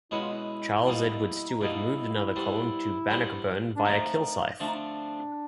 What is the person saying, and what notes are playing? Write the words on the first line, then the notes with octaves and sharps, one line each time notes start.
Charles Edward Stuart moved another column to Bannockburn via Kilsyth.
B2 G#3 C#4 E4 F#4 B4
F4
E4
B2 G3 A#3 D#4
D#4
B2 G3 A#3 D#4 E4
G3 B3 D4 G4 C5
G3 B3 D4 G4 C5
D4
D3 F3 A3 C4 D#4
D3 F3 A3 C4 D4
D#4
D4